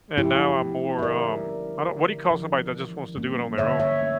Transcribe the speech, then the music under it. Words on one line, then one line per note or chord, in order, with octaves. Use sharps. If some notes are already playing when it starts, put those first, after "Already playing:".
and now I'm more, um, I don't what do you call somebody that just wants to do it on their own?
F3 E4 G4
A3 E4
E5
D3 A#4 D5
G3 C#4 E4
D3
F3 C#4 E4
E3
G3 A#3 C#4
D3 C#5 E5
C#5 E5
A3 C#4